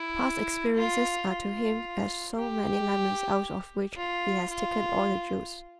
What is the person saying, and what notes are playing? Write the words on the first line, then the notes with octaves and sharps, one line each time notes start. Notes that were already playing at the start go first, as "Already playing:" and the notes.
Past experiences are to him as so many lemons out of which he has taken all the juice.
Already playing: E4
F4
F4
G4
F4
F4